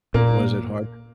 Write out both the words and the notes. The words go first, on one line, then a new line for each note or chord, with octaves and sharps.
Was it hard?
A#2 A#3